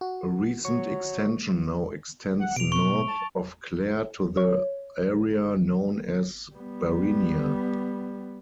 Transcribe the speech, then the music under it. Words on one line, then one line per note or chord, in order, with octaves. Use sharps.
A recent extension now extends north of Clare to the area known as Barinia.
F#4
F#3 C#6
F#5
B2 D7 F7
C#6
A5
C#5
G3 B3